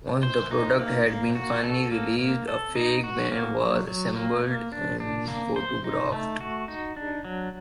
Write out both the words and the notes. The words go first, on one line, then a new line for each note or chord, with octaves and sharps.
Once the product had been finally released, a fake band was assembled and photographed.
C5
D#4
A#3
A#3
F#4
A4
A#3
A#3
A4
D#4
F#4
A#3
F#3
F#3
A#3
A#3
D4
D4
A#3
C5
D#4
A3
F#4
D#4
D4
F#3